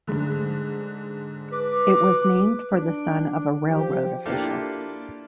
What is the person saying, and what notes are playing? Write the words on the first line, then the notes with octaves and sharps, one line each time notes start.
It was named for the son of a railroad official.
G#2 D3
B4 D6
D4
F3 G4
A#3 D4 E4 F4 G4 A4